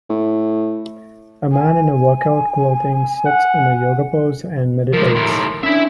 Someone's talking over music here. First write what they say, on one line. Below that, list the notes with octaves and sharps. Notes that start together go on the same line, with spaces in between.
A man in a workout clothing sits in a yoga pose and meditates.
A2
G#5
F#5
F3 G#3 A#4
D#2 A2 C6
C#4 D4 E4 E5